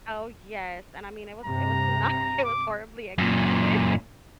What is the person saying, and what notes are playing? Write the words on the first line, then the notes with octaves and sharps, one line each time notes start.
Oh, yes. And, I mean, it was it was not it was horribly executed,
G2 C3 A#5
D6
F#2 A#2